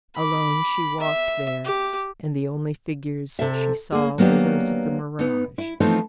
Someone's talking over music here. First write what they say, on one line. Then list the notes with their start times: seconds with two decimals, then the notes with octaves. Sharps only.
Alone she walked there, and the only figures she saw were those of the mirage.
0.15 B5 D6
1.00 E5
1.64 G4
3.39 C3 A4 E5
3.92 A#3 G#4
4.18 F#3 A#3 B3 D4 G4
5.19 B3 D#4
5.58 E4
5.80 E3 F3 A3 B3 C4 D#4